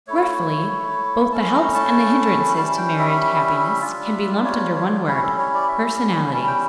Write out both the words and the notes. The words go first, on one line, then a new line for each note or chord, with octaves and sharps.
Roughly, both the helps and the hindrances to married happiness can be lumped under one word--personalities.
A3 E4 C#5
A3 C#4 E4 A5
A#5
A5
G3 C#4 E4 A5
G5
E5
G3 D4 F4
C#5
C#5
G3 C#4 E4 C#5
A4
C#5
D5
E5
G3 C#4 E4 A5
G5